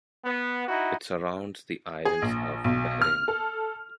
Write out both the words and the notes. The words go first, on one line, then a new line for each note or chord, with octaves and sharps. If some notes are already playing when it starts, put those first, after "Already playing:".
It surrounds the islands of Bahrain.
B3
D#4 E4 F#4
G#4
A#1
B1
F6
A4